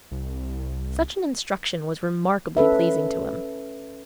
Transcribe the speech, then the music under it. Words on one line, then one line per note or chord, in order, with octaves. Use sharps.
Such an instruction was remarkably pleasing to him.
C2
C#4 A4 B4 E5